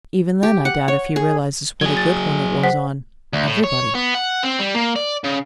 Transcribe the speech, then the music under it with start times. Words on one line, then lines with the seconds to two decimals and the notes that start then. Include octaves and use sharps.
Even then I doubt if he realizes what a good one it was on--everybody.
0.43 G4
0.65 F#5
0.88 C#5
1.16 G#4
1.81 F#3 G#4 G#6
1.97 A6
2.63 C5 F#5 B6
3.33 D2
3.47 A2
3.64 C#5
3.95 B3
4.15 F#5
4.43 C4
4.59 G3
4.75 A#3
4.96 D5
5.24 C#3